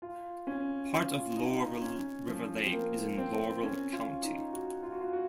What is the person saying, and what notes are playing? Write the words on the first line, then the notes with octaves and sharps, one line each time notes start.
Part of Laurel River Lake is in Laurel County.
F4
C#4
F4
D#4
C#4
F3
C4
A#3
C4
C#4
F4
D#4
F#4
F4
F#4
F4
F#4